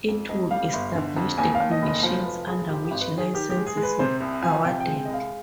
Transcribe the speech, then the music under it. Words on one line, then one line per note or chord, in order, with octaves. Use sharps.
It would establish the conditions under which licences were awarded.
F2
F2 D#5
G3 F5
G1
D3
F2
D#2 G#5
F5
D#2
D#5
F1
D#5
F3 C5
F1 B4
F3 G#4
D#3 G4
G4
G#1
B4
D#3
G#4
D#3 G4
G4
G#3
G#4
G#3
B4
C3 C5
C2
F3 G#5
C3 G5
G5
G#3
G5
D#5
C2
F5